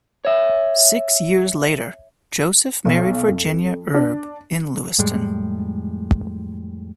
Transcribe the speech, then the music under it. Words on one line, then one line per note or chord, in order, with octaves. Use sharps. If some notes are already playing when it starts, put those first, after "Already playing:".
Six years later, Joseph married Virginia Erb in Lewistown.
C#5 E5
B1
F2
D4
F2 A2 G3 G#3